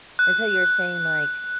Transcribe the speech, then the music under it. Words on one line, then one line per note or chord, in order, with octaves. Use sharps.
And so you're saying, like
F#6